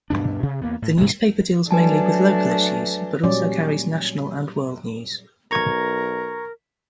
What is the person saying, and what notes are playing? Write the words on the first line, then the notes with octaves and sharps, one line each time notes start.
The newspaper deals mainly with local issues, but also carries national and world news.
D2 G2 B2 D4
C3
E2 A#3 B3
A2
G#2 C3 D#3 G#3
F#3 A3 D4 B4 G#5 A5
A#2 F#3 G3 C#4 D5
B1 A#4 A#5 C#6 G#6